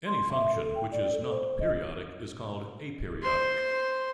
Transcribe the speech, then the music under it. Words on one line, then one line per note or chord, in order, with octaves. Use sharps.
Any function which is not periodic is called aperiodic.
C6
E5
A4
G5
D5
A4
C5
D#5
C5 C6